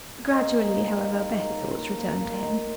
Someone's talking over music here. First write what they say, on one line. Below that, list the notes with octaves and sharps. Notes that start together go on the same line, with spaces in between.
Gradually, however, better thoughts returned to him.
A#3 C#4 G#4 D#5
A#3 C#4 G#4 D#5
G#2 G3 A#3 F4
G#2 G3 A#3 F4
F3 A#3 C#4
F3 A#3 C#4
D#3 A#3 F4 A#4